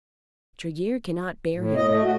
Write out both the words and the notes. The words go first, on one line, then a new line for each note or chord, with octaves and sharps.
Tregear cannot bear him.
A2
D#5
A3
F#4